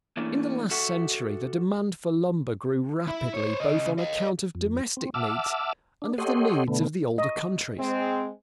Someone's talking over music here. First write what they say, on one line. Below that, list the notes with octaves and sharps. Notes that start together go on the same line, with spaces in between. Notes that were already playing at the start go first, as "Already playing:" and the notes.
In the last century the demand for lumber grew rapidly both on account of domestic needs and of the needs of the older countries.
E3 A3 A#3 C#4 D4 E4
F#4 A4 E5 F#5
E4
C5 C#5
C#3 D#5
D#5 F5
F2
C4
E5 F#5 A5 D6 E6 F6
D4
G4 A4 C#5 D#5 F#5 C6
B2 D3 A3 B3
D#5 C#6
G#3 C4